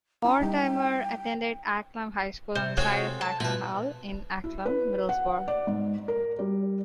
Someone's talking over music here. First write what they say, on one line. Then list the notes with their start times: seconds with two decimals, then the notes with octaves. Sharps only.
Mortimer attended Acklam High School on the site of Acklam Hall in Acklam, Middlesbrough.
0.25 C#4 E4 A#5
0.41 G3 D#4 G5
2.55 C3 C5
2.77 G#3 C4 F4 F#4 A4 C#5
3.21 A5
3.40 B2 F3 B3 E4 B4
4.44 E4
4.65 B4
5.09 F#5
5.48 D5
5.67 G#2
6.08 A#4
6.39 G3